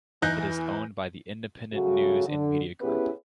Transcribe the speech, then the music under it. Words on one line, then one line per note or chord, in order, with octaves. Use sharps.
It is owned by the Independent News and Media group.
E2 E3 D#4 F#6 G6 A#6
C#3 F#3 A3 F#4
D3
B3 C#4 E4 G4 G#4 B4